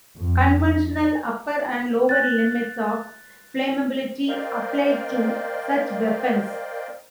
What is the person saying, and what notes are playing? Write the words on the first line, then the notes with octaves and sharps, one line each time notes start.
Conventional upper and lower limits of flammability apply to such weapons.
F2
F#6 A6
A#4 C5 D5 D#5 F5 G5